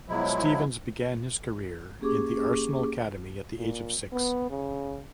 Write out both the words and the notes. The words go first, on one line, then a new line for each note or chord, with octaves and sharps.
Stevens began his career in the Arsenal Academy at the age of six.
B2 F3 F#3 G#3 E4
A#3 C#4 G4 G#4 C#6 D6
A#2
B3
C#3